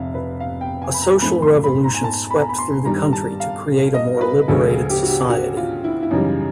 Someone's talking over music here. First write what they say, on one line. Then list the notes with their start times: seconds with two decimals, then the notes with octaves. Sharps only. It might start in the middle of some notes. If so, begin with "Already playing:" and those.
A social revolution swept through the country to create a more liberated society.
Already playing: F1 C3 E5 F5
0.14 B4
0.40 F5
0.61 G5
0.82 G#5
0.94 B5
1.01 A#5
1.22 G#2 F3 A3 C4 B5
1.42 C6
1.64 B5
1.84 A#5
1.94 G#5
2.04 A5
2.31 B5
2.40 A#5
2.49 B5
2.59 C6
2.85 G2 D#3 G3 A#5
3.13 A5
3.40 F5
3.94 D#5
4.17 A#4
4.21 B4
4.48 D2 C#3 F3 G#3 C#4 A4
4.69 G#4
4.90 G4
5.03 F#4
5.09 G4
5.30 F#4
5.57 F4
5.84 E4
6.02 E4
6.11 F#2 C#3 E3 G3 D#4